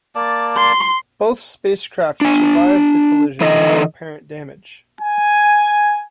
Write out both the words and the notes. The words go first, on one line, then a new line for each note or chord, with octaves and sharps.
Both spacecraft survived the collision without apparent damage.
A#3 D5 A5
C6
D4 G#5
D3 E3 D#4 A4 D#5
G#5